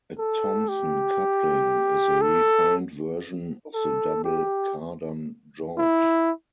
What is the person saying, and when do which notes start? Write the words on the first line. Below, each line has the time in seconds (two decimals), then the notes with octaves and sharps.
A Thompson coupling is a refined version of the double Cardan joint.
0.18 A4
0.69 G4
2.22 A4
3.75 A4
4.24 G4
5.78 E4